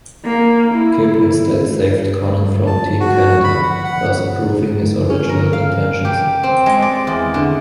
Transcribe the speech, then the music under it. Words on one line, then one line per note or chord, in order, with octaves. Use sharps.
Kip instead saved Konnan from Team Canada, thus proving his original intentions.
A#3
E4
A5
F#4
B5
F#5
F#5
C#4
A#4
F5
G4
C4
G#3
D5
E2
D3